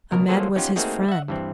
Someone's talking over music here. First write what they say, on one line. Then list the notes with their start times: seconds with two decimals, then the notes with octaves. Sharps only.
Ahmed was his friend.
0.11 C#2 B2 A#4
0.28 F#3 A#3 F4 G#4 A4 C5
0.56 B3 C#4 D#4 F4 G4
0.76 A3 A#3 C4 D#4 F#4 G#4
1.08 E5 F#5
1.28 G2 E3 C4